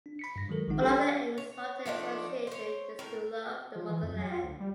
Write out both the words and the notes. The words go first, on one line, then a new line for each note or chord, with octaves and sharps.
One of the aims of the Association is to "love the motherland".
D4
B5 B6 C#7
G2 A#6
D#3 F#3 G#3 A4 A#4
A#1 D#3 F3 G#3 D#4 F#5
D4 G4 A4 C#5 B5 C6
C#5
F3 A3 D4 D#4
C5 C#5
A2 A#4
F3
E3
F2
F#3
F4
D2
G3